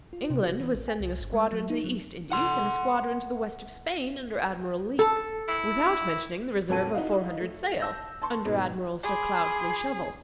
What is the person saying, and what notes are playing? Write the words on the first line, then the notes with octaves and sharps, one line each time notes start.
England was sending a squadron to the East Indies, and a squadron to the West of Spain under Admiral Leake, without mentioning the reserve of four hundred sail, under Admiral Sir Cloudesley Shovel.
F4
C3
F#4
E3
A1
G#5
C2
G1
G#3
F#3
D#4
F#3
F#5 C6
A4
E4
F2 A#2 F#4 A4 C#5 D#7
D#4 E4 F#4 F5
A3
A5 E6 G6 A#6
A5 C6 C#6
G#2 B2
G#4 B5 C6 D6